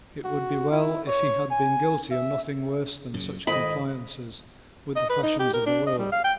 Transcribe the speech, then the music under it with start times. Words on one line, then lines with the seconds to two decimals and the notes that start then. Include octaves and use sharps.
It would be well if he had been guilty of nothing worse than such compliances with the fashions of the world.
0.24 F#4
0.71 E4
1.07 C#5
1.51 G#5
2.11 E5
3.14 F#2 A#2 C#3
3.47 G#1 F2 D#3 D#5 B5
4.96 D#5
5.10 B4
5.23 D#4
5.39 G4
5.54 A#4
5.66 D4
5.87 D#5
5.98 G3
6.12 F5
6.24 G5